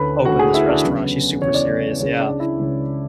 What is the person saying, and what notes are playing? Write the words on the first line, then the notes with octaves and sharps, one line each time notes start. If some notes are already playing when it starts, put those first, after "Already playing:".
open this restaurant, she's super serious, yeah,
Already playing: D2 D3 A3 C#4 B4 B5
D2 D3 A3 C#4 F#4 F#5
G#4 G#5
E4 E5
D4 D5
E2 C#3 F#3 B3
E2 C#3 F#3 B3 C#5
D5
C#5
C#2 C#3 G#3 C#4 C#5
D4 D5
E4 E5
C#2 C#3 G#3 C#4